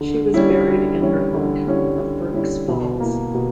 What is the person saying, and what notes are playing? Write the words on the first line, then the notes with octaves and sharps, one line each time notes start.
She was buried in her hometown of Burk's Falls.
D3
G3 C#4 E4
D3
G3 C#4 E4
D3
G3 C#4 E4
D3
G3 C#4 E4
B2
A#3 E4
B2